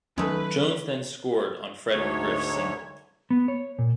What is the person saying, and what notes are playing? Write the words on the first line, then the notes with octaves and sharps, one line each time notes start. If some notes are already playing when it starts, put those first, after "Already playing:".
Jones then scored on Fred McGriff's single.
D#3 F#3 G#3 A3 C#4 D#4 A4 B4
D2 G#2 C#5
B3
C#5
A#2